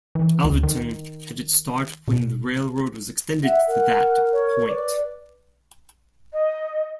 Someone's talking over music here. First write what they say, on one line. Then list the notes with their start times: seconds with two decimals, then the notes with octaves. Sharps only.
Alvordton had its start when the railroad was extended to that point.
0.15 E3
0.45 D2
0.63 D#3
2.08 B2
3.44 E5 F#5
3.68 A#4 F#5
4.33 C#5
4.67 B4 D5
6.32 D#5